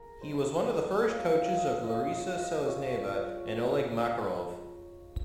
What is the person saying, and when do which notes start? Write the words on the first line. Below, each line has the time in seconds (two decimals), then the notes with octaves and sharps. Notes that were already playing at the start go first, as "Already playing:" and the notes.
He was one of the first coaches for Larisa Selezneva and Oleg Makarov.
Already playing: G#4 A#4
0.20 G#3 D#4 C5
1.03 G#3 C#4 F4 D#5
1.30 F5
1.57 D#5
1.84 G#3 C#4 F4 D#5
2.12 D#5
2.38 D#5
2.66 F3 G#3 C4 C#5
3.47 F3 G#3 C4
4.29 F3 G#3 D#4